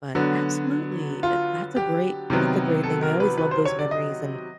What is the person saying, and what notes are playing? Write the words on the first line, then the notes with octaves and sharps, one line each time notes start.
But, absolutely, i that's a great that's a great thing, I always love those memories, and
D3 F#3 B3
F4
G4
C3 D#3 F#3 B3
A4
A#4
B4
B4
C5
C#5
D5
D#5